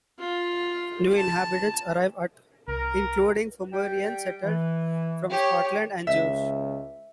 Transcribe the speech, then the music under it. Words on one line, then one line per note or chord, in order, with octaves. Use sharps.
New inhabitants arrived, including Pomeranians, settlers from Scotland, and Jews.
F4
A5
C2 A#4
G3 D5 G5
E3
G4 C#5
C#2 E5